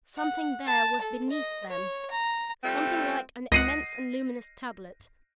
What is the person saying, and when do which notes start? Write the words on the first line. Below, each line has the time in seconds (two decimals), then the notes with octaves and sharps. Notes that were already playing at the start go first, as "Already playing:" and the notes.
Something there was beneath them--something like an immense and luminous tablet.
0.16 F#5
0.67 A5
1.02 A4
1.30 D#5
1.69 C#5
2.11 A#5
2.63 G3 A3 C4 F4
3.52 C#2 D#5 F#5 A#6 C7 D#7